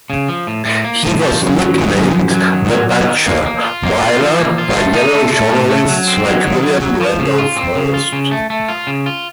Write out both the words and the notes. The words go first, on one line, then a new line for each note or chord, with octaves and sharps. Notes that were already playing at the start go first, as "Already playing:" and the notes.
He was nicknamed "the Butcher" Weyler by yellow journalists like William Randolph Hearst.
C#3
F3
A2
A2
A#3
A2
F3
F#2
F#3
D#3
F#2
F#2
F#3
D#3
F#3
F#3
D#3
A#3
A#3
F4
A#3
F4
F3
A#3
F4
A3
D#4
A3
A3
A2
A3
F#3
C4
F#3
D#3
F#3
F#3
F3
C#3
F4
C4
C#3
F4
C#3
A3
A3
F4
C#3
F4